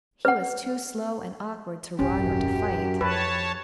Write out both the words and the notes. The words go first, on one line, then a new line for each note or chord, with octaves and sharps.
He was too slow and awkward to run or to fight.
B4 F#5
D#1 G#1 F#2 C#4 G4
F2 B4 C#5 A5